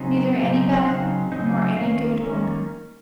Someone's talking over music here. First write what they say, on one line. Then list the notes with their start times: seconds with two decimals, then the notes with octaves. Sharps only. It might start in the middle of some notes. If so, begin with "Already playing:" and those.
Neither any bad, nor any good odor.
Already playing: C#3 F#3 C4 D#4
0.39 C#3 F#3 C4 D#4
0.77 F#5
0.85 C#3 F#3 C4 D#4 F5
1.32 C#3 F#3 C4 D#4
1.77 D#3 A#3 C#4 F5
2.23 D#3 A#3 C#4